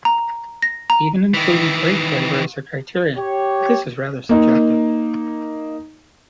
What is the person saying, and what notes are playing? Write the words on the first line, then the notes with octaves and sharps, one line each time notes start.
He even included grape flavour as a criterion, but this is rather subjective.
A#5
A#6
A#5
D#3 E3
G4 C#5
A#3 D#4